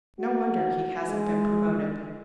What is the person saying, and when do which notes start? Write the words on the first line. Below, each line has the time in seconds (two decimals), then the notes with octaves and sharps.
No wonder he hasn't been promoted.
0.19 F#4
1.09 G#3